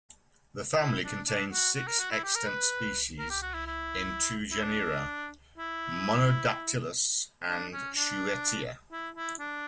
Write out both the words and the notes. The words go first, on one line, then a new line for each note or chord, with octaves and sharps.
The family contains six extant species in two genera, "Monodactylus" and "Schuettea".
E4
D4
D4
F#4
F#4
A#4
F#4
E4
G4
A#4
B4
A#4
G4
F#4
E4
E4
E4
D4
E4
D4
C#4
D4
E4
E4
D4